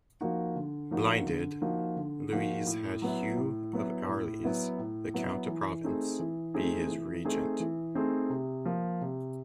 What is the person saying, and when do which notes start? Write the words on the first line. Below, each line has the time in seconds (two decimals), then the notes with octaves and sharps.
Blinded, Louis had Hugh of Arles, the Count of Provence, be his regent.
0.21 F3 A#3 D#4 F#4
0.55 D3
0.91 F3 A#3 D#4 F#4
1.26 D3
1.61 F3 A#3 D#4 F#4
1.96 D3
2.32 F3 A#3 D#4 F#4
2.67 A2
3.02 F#3 B3 E4
3.37 A2
3.73 F#3 B3 E4
4.07 A2
4.43 F#3 B3 E4
4.78 A2
5.14 F#3 B3 E4
5.48 E3
5.84 A3 C4 D#4 G#4
6.19 E3
6.54 A3 C4 D#4 G#4
6.90 E3
7.25 A3 C4 D#4 G#4
7.60 E3
7.95 A3 C4 D#4 G#4
8.30 C3
8.65 F3 A#3
9.01 C3